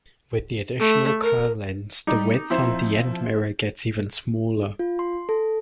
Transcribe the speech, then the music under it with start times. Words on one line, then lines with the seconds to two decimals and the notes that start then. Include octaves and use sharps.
With the additional Kerr lens the width on the end-mirror gets even smaller.
0.79 A3
1.22 A#4
2.07 G3 D#4 D6
2.50 F3 C4 E4 C5
4.79 F4
4.99 C6
5.29 A4